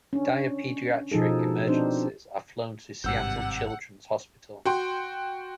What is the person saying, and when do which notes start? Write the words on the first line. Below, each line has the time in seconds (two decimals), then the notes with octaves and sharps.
Dire pediatric emergencies are flown to Seattle Children's Hospital.
0.13 C#4 D4
1.11 B2 F3 D#4 G#4 A4
1.67 C4 D4 D#4 C5
3.04 G#1 G2 C3 F#5 E6 G6
4.65 F#4 G5 C6